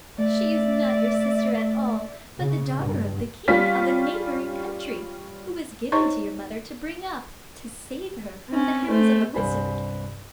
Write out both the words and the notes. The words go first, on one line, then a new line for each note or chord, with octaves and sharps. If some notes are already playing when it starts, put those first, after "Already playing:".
She is not your sister at all, but the daughter of the king of a neighbouring country, who was given to your mother to bring up, to save her from the hands of a wizard.'
A3 D5 E5
C#3
G2
G3 C#4 F4 B6
D#4 C5 C#5 D#5 C6 C#6
C4 C#4
A3 C5
C2 G2 C5 G#5 B5